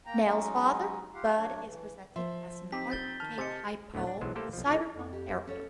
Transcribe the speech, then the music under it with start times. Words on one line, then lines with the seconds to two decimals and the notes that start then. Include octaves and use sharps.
Nell's father, Bud, is presented as an archetypal cyberpunk character.
0.06 A#3 G5 A#5
0.26 F#3 G#3 C#4 D#4
1.14 F4 G4 F5 F#5
1.36 F#3 D4 C#5
1.64 E3
2.16 F3 E5 C6
2.72 C4 D#4 G4 C5 B6
2.90 G6 A6 G7
3.20 D#3 A5 F6
3.38 C3 D#5 G#5 A5 A6 C#7
3.94 D2 A2 D3 A3 B3
4.07 D4
4.21 B1 E3 F#3 G#3 C5
4.35 A3 A#3 G4 A4 C5 G5
4.53 B1 F3
4.66 C2 F4
4.94 F2
5.13 G4
5.47 C#4 A4 C#5